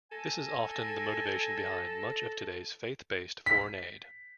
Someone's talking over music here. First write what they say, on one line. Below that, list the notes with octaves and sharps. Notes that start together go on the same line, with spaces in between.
This is often the motivation behind much of today's faith-based foreign aid.
A4 G#5 A#6
B6